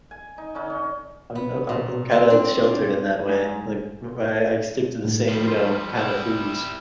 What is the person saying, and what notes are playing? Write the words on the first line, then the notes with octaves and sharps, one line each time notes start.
I'm uh I'm I'm kind of sheltered in that way. like, I I I stick to the same, you know, kind of foods.
G#5
D#4
D3 C#4 D#4
C#4
B3
A#2
C4
D4
D5
F5
G#2
A2
F3 G3
C6
G3 E4